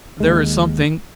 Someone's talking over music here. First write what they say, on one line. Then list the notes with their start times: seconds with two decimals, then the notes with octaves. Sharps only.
There is something....
0.20 D#2 G#3